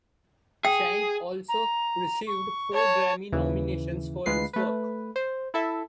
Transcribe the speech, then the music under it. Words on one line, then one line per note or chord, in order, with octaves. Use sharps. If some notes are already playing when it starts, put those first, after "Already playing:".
Shand also received four Grammy nominations for his work.
G#4 G5
A#5
C#6
C#5 A5
D#2 C#3 E3
D2 G#3 F4 B4 C7
A3 B4
C5
E4 A4 E5